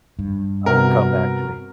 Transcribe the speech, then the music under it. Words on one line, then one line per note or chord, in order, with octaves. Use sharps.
um, come back to me.
G2
C3 B3 F#4 A#4